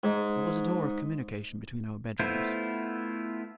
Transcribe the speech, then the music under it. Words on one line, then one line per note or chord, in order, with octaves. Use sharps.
There was a door of communication between our bedrooms.
G#2
A3 B3 E4 F4 C5